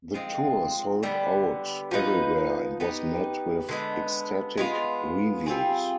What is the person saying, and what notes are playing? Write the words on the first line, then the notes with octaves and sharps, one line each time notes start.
The tour sold out everywhere and was met with ecstatic reviews.
F3 G#3 C4
D3 G3 B3
F3 B3 D#4 B4
B3 D#4 G4 B4
D3 G#3 B3
G#3 B3 F4
G3 C4 F4 G#4